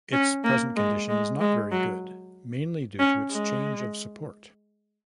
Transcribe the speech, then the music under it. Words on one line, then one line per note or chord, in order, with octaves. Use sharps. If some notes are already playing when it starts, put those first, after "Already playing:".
Its present condition is not very good, mainly due to its change of support.
C#4
A#3
G#3
G#3
G#3
F#3
C#4
G#3